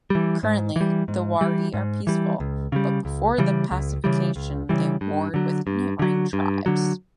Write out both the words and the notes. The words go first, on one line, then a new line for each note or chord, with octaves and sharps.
Currently, the Wari' are peaceful, but before the pacification they warred with neighboring tribes.
E3 G3
G#2
E3 G3
G#2
E3 G3
G#2
E3 G3
C#2
C#3 E3 G3
C#2
C#3 E3 G3
C#2
C#3 E3 G3
C#2
C#3 E3 G3
G2
D3 F#3
G2
D3 F#3
G2
D3 F#3